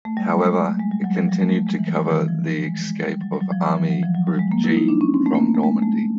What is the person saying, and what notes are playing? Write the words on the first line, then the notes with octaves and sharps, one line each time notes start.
However, it continued to cover the escape of Army Group G from Normandy.
A3
G3
F#3
G#3
G#3
A3
G#3
G3
F#3
F3
G3
A3
G#3
G#3
E3
D#3
D#3
E3
F3
G#3
G#3
G3
F#3
G3
F#3
F3
E3
F3
F#3
F3
F#3
G3
G#3
A#3
E4
D#4
D4
C#4
C4
A3
A#3
A3
G#3
A3